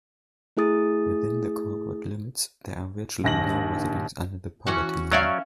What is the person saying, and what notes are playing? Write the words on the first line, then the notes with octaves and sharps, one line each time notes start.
Within the corporate limits, there are virtually no residents under the poverty line.
A3 E4 G#4 D#6 A6
A#1 D#2 A#6 F#7
E3 C#4 F#4
F#3 C#4 C#5 D5 E5 F5